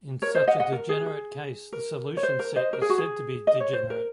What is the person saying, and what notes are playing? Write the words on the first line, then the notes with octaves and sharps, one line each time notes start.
In such a degenerate case, the solution set is said to be degenerate.
A#4 C#5
C5 D#5
D#5 F#5
D#5 F#5
A#4
G#4
G#4
A#4
C#5
C5
A#4
C5 D#5
A#4
G#4
F#4
G#4
D#5
C#5
C5
A#4